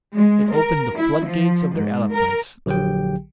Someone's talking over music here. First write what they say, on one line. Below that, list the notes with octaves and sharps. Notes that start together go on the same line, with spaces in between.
It opened the floodgates of their eloquence.
G#3
A#4
E4
F3
G#2
A#4
A#1 D3 F#3 G4 G5